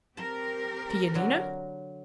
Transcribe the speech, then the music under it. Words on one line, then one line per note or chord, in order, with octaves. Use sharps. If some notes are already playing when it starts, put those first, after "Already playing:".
"To Yanina?"
C4 G4 A#4 A5
D3 F#3